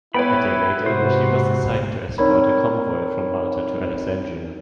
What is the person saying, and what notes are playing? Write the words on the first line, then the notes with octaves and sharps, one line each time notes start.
A day later, she was assigned to escort a convoy from Malta to Alexandria.
B3 E4 B4 C#5 G5 B5
G#2 C3 F#4 C5
C4 D#4 A#4 C#5 D5 B5